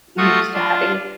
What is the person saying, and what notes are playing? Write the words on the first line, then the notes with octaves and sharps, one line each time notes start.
used to having
A3 F4 F#4 C#6 D#6
D4 F4